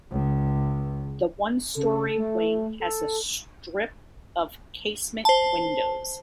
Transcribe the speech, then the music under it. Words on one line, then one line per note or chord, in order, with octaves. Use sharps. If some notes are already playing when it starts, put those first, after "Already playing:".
The one story wing has a strip of casement windows.
C#2
C#3 A4
A3
A4
C5 A5